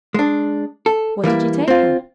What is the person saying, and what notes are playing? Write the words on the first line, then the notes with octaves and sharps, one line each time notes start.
'What did you take her?'
G#3 D4
A4
E3 G3 A#3 E4
C4 F4